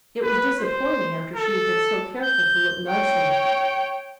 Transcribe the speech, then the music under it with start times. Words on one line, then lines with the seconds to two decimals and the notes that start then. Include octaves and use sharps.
It was disappointing after she had been so careful to look nicely.
0.23 B4
0.60 C5
1.36 A4
2.23 G6
2.88 C#5 G5